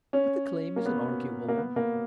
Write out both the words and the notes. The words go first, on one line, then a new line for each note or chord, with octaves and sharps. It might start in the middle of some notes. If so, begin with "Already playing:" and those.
But the claim is an arguable one.
C#4
A#3
B3
A#3
B3
A#3